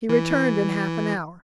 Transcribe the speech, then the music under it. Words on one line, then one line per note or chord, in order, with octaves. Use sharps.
He returned in half an hour.
E3